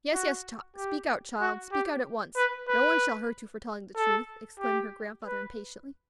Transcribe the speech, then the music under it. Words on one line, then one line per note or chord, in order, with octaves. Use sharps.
"Yes, yes, speak out, child; speak out at once; no one shall hurt you for telling the truth," exclaimed her grandfather, impatiently.
F#4
G4
F#4
G4
B4
B4
A4
G4
B4